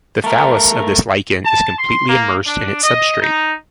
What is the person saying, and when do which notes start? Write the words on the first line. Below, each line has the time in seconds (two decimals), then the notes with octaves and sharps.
The thallus of this lichen is completely immersed in its substrate.
0.24 A3 A#4
1.45 A5
1.79 C6
2.09 A#3
2.47 D4
2.84 D#5
3.21 D#4